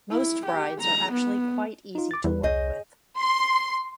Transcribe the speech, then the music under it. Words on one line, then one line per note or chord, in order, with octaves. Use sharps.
Most brides are actually quite easy to work with.
E4
G4
A#5
B3
D#4 F4
D6 A6
E2 G3 B4
C2 G#4 C#5 D#5 G6 A#6
C6